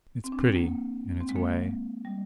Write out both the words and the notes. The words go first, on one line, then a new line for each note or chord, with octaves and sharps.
It's pretty in its way.
C4
D4
C4
A#3
C4
G#3
A#3
G3